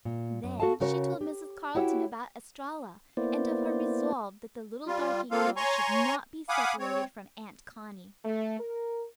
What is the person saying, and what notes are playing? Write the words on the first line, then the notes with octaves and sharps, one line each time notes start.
Then she told Mrs. Carleton about Estralla, and of her resolve that the little darky girl should not be separated from Aunt Connie.
A#2
F#2
F#4 A4 F5 A5
C#3 C#4 F#4 A#4 C#5
G4
E4 F#4 G4 C#5 F#5
A#3 B3 E4 C5 D5
G3 F4
A#3 C4 F4 A4 F5
C#5 G#5 A#5 C6 C#6
F5 F#5 G#5 B5 D6 D#6
C4 C#5
A3
A#4